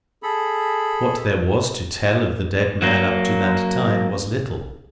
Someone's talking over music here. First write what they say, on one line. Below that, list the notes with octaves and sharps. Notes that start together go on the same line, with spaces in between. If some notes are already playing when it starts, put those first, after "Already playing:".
What there was to tell of the dead man, up to that time, was little.
G#4 A4 B5
F#3 A#3